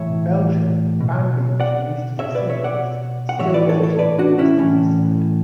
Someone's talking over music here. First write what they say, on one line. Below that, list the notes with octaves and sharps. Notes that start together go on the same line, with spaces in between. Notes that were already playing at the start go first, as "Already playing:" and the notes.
In Belgium, "Bambi" was released as a single with "Still Waiting" as the B-side.
Already playing: A2 E3 C#5 E5
B2
D5 F#5
B2 C#5 E5
B4 D5
C#5 E5
D5 F#5
F#5
A2 E3 C#5 E5
B4 D5
A4 C#5
A4 C#5
B4 D5
D4 F#4
C#4 E4
A2 E3 C#4